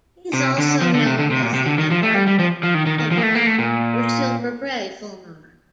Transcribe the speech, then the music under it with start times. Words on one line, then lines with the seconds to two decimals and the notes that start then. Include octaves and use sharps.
It is also known as the Antarctic fulmar or silver-grey fulmar.
0.33 C3
0.58 D3
0.81 F3
0.94 D3
1.06 C3
1.19 D3
1.31 C3
1.42 A#2
1.54 C3
1.66 D3
1.78 D#3
1.91 F3
2.03 A3
2.15 G3
2.27 G3
2.39 F3
2.63 F3
2.74 D#3
2.86 D#3
2.99 D#3
3.11 F3
3.17 A#3
3.23 A3
3.35 A#3
3.47 A3
3.58 A#2